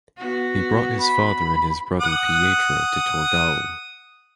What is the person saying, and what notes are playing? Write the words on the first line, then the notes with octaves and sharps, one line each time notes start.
He brought his father and his brother Pietro to Torgau.
B3 F#4
B5
F#5 D#6